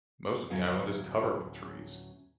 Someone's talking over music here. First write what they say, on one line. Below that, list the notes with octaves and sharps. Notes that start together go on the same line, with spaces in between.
Most of the island is covered with trees.
D2 A2 F#3 B3 C#4 F5